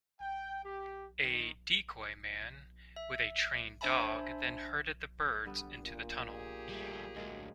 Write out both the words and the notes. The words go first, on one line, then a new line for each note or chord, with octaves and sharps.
A "decoyman" with a trained dog then herded the birds into the tunnel.
G5
G4
D#3
E5
D4 C5 E5 G#5 A5 B5
D3 G3 B3
A#2
G4 G#4
G3 A3
D2 F#3 G#3 A#3